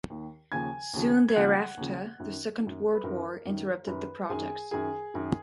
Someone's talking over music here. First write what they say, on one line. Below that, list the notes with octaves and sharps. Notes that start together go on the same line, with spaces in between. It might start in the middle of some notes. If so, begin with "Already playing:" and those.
Soon thereafter, the Second World War interrupted the project.
D#2 D#3
D#2 C#3 F3 G#5 G#6
D#2 C#3 F3
G#6
D#2 C#3 F3 F#5 F#6
D#2 C#3 F3
F#2 D#3
D#3
F#2
B4
F#2 D#3 A#4
F#2 D#3
F#2 D#3 B4
F#2 D#3 G#4 G#5
F#2 D#3 G#4 G#5
F#2 D#3